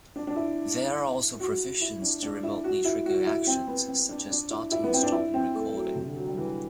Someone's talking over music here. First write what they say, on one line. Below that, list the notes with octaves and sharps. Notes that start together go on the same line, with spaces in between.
There are also provisions to remotely trigger actions, such as starting and stopping recording.
D4
D4
E4
F#4
E4
D4
D4
E4
F#4
E4
F#4
E4
C4
B3
C4
D4
D4
E4
E4
B3
C4
D4
E4
C4
A3
F#3
C3
D3
F#3
G3
E3